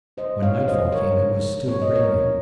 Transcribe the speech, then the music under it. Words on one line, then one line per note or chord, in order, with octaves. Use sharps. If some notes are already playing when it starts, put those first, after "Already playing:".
When nightfall came it was still raining.
C#3 F3 G#3 D#4 C5 D#5
C#5 F5
F5
C#3 F3 G#3 D#4 C5 D#5
A#4 C#5
C#3 F3 G#3 D#4
F3 C4 D#4 C#5
D#5
A#4 C#5
F3 C4 D#4